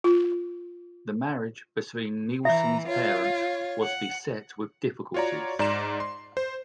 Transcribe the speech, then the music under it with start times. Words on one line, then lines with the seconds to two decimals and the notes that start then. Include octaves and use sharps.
The marriage between Nilsen's parents was beset with difficulties.
0.04 F4
2.45 E3 E5 A#5
2.88 F4 C#5
3.83 F#5
5.14 F4 F#4 C#5 D5 A#5
5.59 G#2 D5 A#5 C6 E7
6.00 C6
6.37 C5